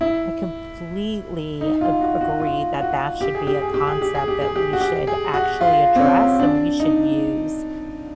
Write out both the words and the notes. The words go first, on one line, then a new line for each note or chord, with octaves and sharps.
I completely a agree that that should be a concept that we should actually address and we should use
E4
D#4
F4
F#4
F#4
F4
F#4
G4
G#4
G4
G#4
G4
G#4
G4
G#4
G4
G#4
G4
F#4
G4
G#4
F#4
F4
C4
C#4
D4
D#4